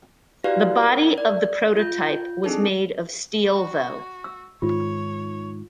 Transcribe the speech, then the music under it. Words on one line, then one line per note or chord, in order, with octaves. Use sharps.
The body of the prototype was made of steel though.
E4 F#4 G4 B4 D5 F5
A#4
D5
F4 G6
C4 D4 D#4 G#4 A4
F#4
E6
G#2 D#3 F4 C#5